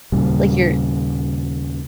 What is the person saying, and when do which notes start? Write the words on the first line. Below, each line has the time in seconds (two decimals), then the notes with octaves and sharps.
Like, you're
0.12 D#2 A#2 C#3 G3